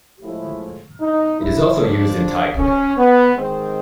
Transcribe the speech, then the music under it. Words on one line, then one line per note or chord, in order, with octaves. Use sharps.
It is also used in Thai cooking.
A2 F3 G#3 E4
D#4
E4
F2 D3 F3 D4
C#4
B3
G#2 D#3 G#3 C4